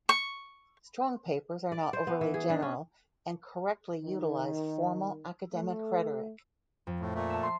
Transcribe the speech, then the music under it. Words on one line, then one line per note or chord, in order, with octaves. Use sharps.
Strong papers are not overly general and correctly utilize formal academic rhetoric.
C#6
D5
C5
B3
E3
G#4
D4
C#4
D#3
A3
F2
A2
A#2 A3
E5 A5
C6 C7